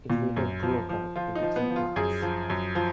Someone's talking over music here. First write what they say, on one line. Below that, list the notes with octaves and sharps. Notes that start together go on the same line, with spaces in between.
It later broke up into three parts.
A#2
F#2
F3
F3
F3 F4
D#4
F3
B3
F3
F4
F#2 G#4
F3
F#2
F3